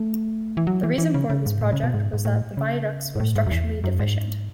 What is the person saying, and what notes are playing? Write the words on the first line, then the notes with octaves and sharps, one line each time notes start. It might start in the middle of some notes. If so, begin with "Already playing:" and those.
The reason for this project was that the viaducts were structurally deficient.
Already playing: A3
E3
F#3
E3
E3
C#3
C#3
G#2
A2
C#3
B2
G#2
G#2
A2
C#3
G#2
A2
G#2
F#2
E2
F#2
G#2